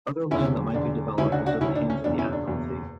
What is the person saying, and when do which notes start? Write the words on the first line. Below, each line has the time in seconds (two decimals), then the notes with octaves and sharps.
Other land that might be developed was in the hands of the Admiralty.
0.31 E1 E2 D3 C#4 E4
0.74 E1 E2 D3 D4
1.18 D2 C#3 F#3 C#4 E4
1.32 D4 F#4
1.46 D4 F#4
1.61 D2 C#3 F#3 C#4 E4
1.75 D4
1.90 C#4
2.04 F#1 E2 B2 F#3 D4
2.18 C#4 E4
2.33 D4
2.48 F#1 E2 B2 F#3